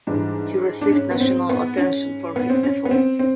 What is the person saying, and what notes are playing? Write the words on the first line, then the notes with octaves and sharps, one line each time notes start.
He received national attention for his efforts.
G#2 E3 G3 D4
D4
C#4
B3
C4
B3
C#4
B3
C4
C#4
B3
C4
C4